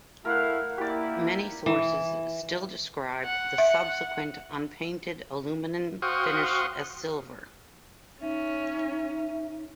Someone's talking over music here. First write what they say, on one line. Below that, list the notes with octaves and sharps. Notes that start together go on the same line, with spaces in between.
Many sources still describe the subsequent unpainted aluminium finish as "silver".
A3 E4 A#4 F5 F#5
A#3 E4 G4 D5
E3
F#5
E5
F#4 C5 F5 G5 C#6 D#6
C#4 D#4 E5